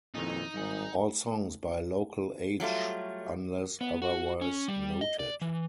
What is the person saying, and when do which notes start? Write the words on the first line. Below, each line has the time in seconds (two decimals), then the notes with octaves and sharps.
All songs by Local H unless otherwise noted.
0.15 F2 A#2 D#3 E3 D#4
0.54 G#1 G2 G#4
2.60 F#3 G3 A3 F4
3.81 B3
4.02 F#4
4.41 C#4
4.68 G3
5.01 D#5
5.19 D5
5.42 E3